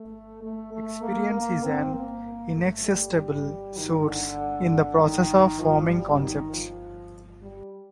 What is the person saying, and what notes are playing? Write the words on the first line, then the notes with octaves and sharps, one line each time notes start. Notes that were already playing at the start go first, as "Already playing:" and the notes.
Experience is an inexhaustible source in the process of forming concepts.
Already playing: A3
A3
A3
A#3
A#3
C4
A#3
A3
G3
D#3
D3
D#3
F3
G3
D#3
F3
G3